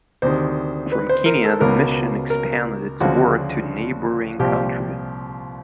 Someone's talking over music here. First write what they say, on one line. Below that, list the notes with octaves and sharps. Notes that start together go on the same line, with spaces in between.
From Kenya, the mission expanded its work to neighboring countries.
D2 C3 D#3 C5
B4
C5
A#4
A4
C#2 B2 A#4
A#4
D2 C#3 F3 F#4
C2 A#2 F3 G4